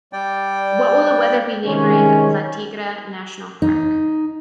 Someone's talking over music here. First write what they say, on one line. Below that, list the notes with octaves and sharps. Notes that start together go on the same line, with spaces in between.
What will the weather be neighboring La Tigra National Park?
G3 D5 G5
C3 D#3 G#3 C#4
D#4